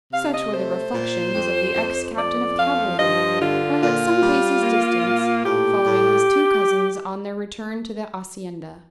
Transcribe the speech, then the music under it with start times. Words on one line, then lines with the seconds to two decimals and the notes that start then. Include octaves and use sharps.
Such were the reflections of the ex-captain of cavalry, while at some paces distance following his two cousins on their return to the hacienda.
0.12 C3 F5
0.32 D#5
0.53 A3 C5
0.94 A#2
1.35 F2
1.75 F2
2.16 F2 D5
2.57 F3 F5
2.98 G2 D#5
3.39 D3 F4
3.81 A#2 F4
4.22 G3
4.63 A#3
5.04 A#2
5.44 A2 G4
5.85 A2